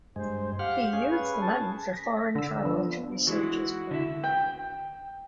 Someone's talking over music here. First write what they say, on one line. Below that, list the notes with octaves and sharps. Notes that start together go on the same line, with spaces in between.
He used the money for foreign travel to research his book.
G2 G#3 C5
G4 F5 F#5 F6
C#4 G#4 F5
B4
A5
A#6 B6
D3 E6
F3 B3 D4
E3 G#3 E4 F#4
D3 E4
G5